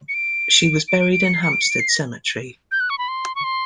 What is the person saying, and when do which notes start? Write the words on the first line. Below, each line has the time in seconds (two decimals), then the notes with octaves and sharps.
She was buried in Hampstead Cemetery.
0.09 C#7
0.14 D7
0.88 D7
1.00 D7
1.12 D7
1.25 C#7
1.34 C7
1.43 C#7
1.53 D7
1.61 C#7
1.70 D7
1.80 C7
1.89 A#6
2.72 G6
2.80 F#6
2.90 C#6
2.98 B5
3.08 C6
3.35 C#6
3.44 C6